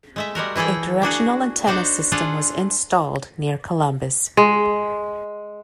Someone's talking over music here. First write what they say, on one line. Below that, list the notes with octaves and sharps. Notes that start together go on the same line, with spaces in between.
A directional antenna system was installed near Columbus.
G#3 A3 E5
G3 G#3 F#4 A#4
E3 E4 G#4 A4 G5
A#3 D4 F#4 G#4
D4 D#4 F#4 C5 D5
D4 F4 G#4 A4 F#5
G#3